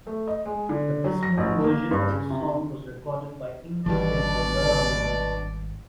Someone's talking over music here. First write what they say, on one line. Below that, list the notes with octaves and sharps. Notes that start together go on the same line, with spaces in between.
The best-known version of the song was recorded by English singer Vera Lynn.
A3
D#5
G#3
D3
F#3
A#6
A1
A#3
G2
C#3
C3
G#1 B2 E3 G3 D4 D5